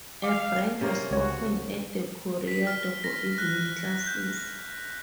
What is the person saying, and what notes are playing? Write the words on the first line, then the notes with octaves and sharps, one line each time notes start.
A branch was opened at The Corridor for evening classes.
F5 D6
C3 A#3 C#4 F4 A#4
C#2 F#4 C#5
B6
F6
A#6
F#6
G6